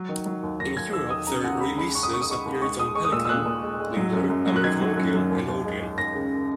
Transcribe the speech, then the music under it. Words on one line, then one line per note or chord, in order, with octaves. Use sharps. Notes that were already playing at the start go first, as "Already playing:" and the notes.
In Europe, their releases appeared on Pelican, Leader, American Odeon and Odeon.
Already playing: F#3
D#3
F#3
D#2
D#2 A#6
D#2 G#6
D#2 E6
D#3 D#6
C#3 A#5
D#2 F#5
G#3 B5
G#3 B5
C#3 C#6
D#6
D#2 C#6
D#6
G#3 C#6
D#2
G#3 C#6
G#3 D#6
G#3 C#6
D#6
A#2 E6
E6
A#2 F#6
A#2
G#3
G#3
F#3
F#2
F#2
F#3
F#6
D#3 G#6
F#3
F#2
F#2
D#2
D#2
G#3
G#3
D#2 A#6
C#3